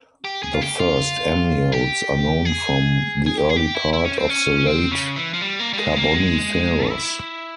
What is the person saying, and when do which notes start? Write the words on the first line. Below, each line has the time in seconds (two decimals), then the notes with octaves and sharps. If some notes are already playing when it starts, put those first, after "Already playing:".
The first amniotes are known from the early part of the Late Carboniferous.
0.24 G4
0.43 G#4
0.54 F4
0.61 G4
0.79 F4
1.72 G4
2.45 G#4
3.26 G#4
3.38 G4
3.49 G#4
3.56 G4
3.75 E4
3.93 E4
4.05 C#4
4.17 C4
4.29 C#4
4.67 C4
4.91 C#3
5.16 E3
5.34 F3
5.41 G3
5.59 A#3
5.73 G3
5.78 G#3
5.96 A#3
6.14 G#3
6.88 E4